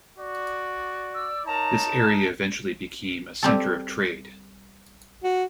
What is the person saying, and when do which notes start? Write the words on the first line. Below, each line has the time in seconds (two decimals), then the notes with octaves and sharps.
This area eventually became a center of trade.
0.18 F#4 D5
1.14 E6
1.47 D#4 A#4 C#5 A5 A#5
3.43 G3 C4 A4
5.24 F#4